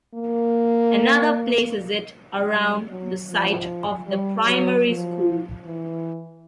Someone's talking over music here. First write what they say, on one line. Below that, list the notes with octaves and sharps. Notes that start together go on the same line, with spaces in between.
Another places it around the site of the primary school.
A#3
G3
F#3
F3
G3
F#3
F3
E3